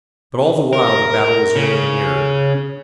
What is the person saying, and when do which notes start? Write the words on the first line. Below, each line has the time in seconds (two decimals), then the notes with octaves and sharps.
But all the while the battle was rolling nearer.
0.73 A#4
1.56 C#3